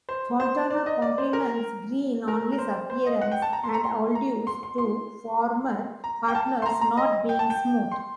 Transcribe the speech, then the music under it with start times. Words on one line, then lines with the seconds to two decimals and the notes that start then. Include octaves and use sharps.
Fontana compliments Green on his appearance, and alludes to former partners not being "smooth".
0.09 C5
0.40 C5
0.70 D5
0.86 D#5
1.02 D5
1.18 C5
1.33 A#4
2.28 A#4
2.52 A#4
2.58 C5
2.90 C5
3.06 D#5
3.21 F#5
3.32 G5
3.42 A5
3.53 A#5
3.64 C6
3.74 A#5
3.84 C6
4.15 A#5
4.47 C6
4.63 C6
4.78 C6
6.04 A#5
6.28 G5
6.35 A5
6.62 C6
6.66 A#5
6.81 A#5
6.97 D#5
7.29 G5
7.39 A5
7.50 G5
7.92 C6